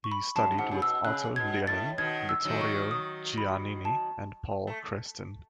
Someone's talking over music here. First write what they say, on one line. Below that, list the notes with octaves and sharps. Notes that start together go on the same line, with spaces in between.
He studied with Otto Luening, Vittorio Giannini, and Paul Creston.
C#6
B5
F#2 A5
F#2
G#2 F#5
C#3
B2 E6
C#3 F#6
B2 G#6
A2 A6
B2 D#3 G#6
E6
D#3 F#3
C#6
D#6
B5
A5
A3